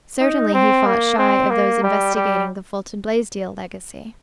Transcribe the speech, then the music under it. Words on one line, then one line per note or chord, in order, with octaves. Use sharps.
Certainly he fought shy of those investigating the Fulton-Blaisdell legacy.
D#4
C4
A#3
C4
A#3
G3
G3